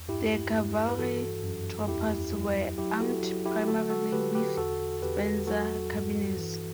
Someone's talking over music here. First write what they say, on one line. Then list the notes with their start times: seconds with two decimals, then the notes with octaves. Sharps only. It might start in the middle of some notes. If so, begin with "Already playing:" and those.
The cavalry troopers were armed primarily with Spencer carbines.
Already playing: E2
0.08 G2 E4 G4
0.54 G2
0.89 B4
0.98 E3 F#4 A4
1.43 F#2
1.88 E2 E4 G4
2.33 F#3
2.78 F#3 E4 G4
3.00 F#4 A4
3.23 F#3
3.45 E4 G4
3.68 D3 F#4 A4
3.90 F#4 A4
4.12 D3 G4 B4
4.35 G4 B4
4.57 E2 F#4 A4
5.02 E2 G4 B4
5.47 F#3 F#4 A4
5.92 G2
6.37 E3